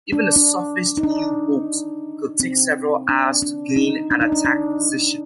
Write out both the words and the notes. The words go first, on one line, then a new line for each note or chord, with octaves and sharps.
Even a surfaced U-boat could take several hours to gain an attack position.
D4
D4
D#4
D4
C4
D4
D4
D#4
D4
D#4
D4
D4